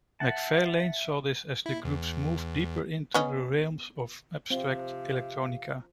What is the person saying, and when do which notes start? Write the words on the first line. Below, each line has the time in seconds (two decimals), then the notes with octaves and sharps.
McFarlane saw this as the group's move deeper into the realms of abstract electronica.
0.20 E5 F#5 A5
1.66 E4
1.85 E2
3.14 B3 C#4 D#5
4.50 C3 F3 C4 F5